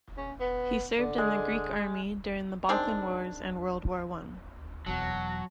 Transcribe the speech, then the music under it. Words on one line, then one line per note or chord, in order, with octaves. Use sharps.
He served in the Greek army during the Balkan Wars and World War One.
C#4
B3
D3
G#3
D#3 G#3 C4 D4
E1 E2 B2 F#3 F#4 A5